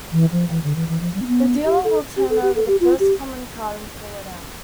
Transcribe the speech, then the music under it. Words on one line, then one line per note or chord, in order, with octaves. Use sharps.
The dealer will turn over the first common card and call it out.
E3
F3
E3
D3
E3
E3
F3
G3
C4
B3
G4
A4
G4
A4
G4
A4
G4
F4
G4